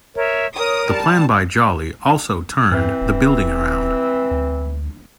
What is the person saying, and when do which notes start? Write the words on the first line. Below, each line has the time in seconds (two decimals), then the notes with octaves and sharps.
The plan by Joly also turned the building around.
0.16 A#4 C#5 E5
0.57 A#4 C#5 D#6
0.89 G3 A5
2.71 G2 E3 C4
3.01 D#1
4.31 D2